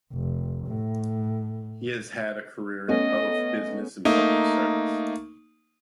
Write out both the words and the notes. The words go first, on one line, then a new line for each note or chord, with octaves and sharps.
He has had a career in both business and public service.
F1
A2
A3 B3 C#4 D#5
A3 A#3 D#4